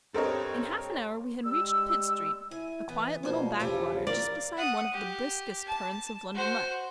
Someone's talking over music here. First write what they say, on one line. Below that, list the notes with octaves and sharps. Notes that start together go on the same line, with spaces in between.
In half an hour we had reached Pitt Street, a quiet little backwater just beside one of the briskest currents of London life.
G2 C4 A4 A#4 C#5 D#5
G3 G#3 E6
E4 G#5
E3 B3
B2 F3 G3 A#3 C#4 C5
E2 C#3 G3 A3 C#4
A#4 D5 F5
F#5 D#6
G4
A5
F#4 C5